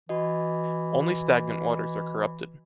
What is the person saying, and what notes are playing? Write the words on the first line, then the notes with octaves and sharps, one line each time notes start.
Only stagnant waters are corrupted.
E3 F#4 D#5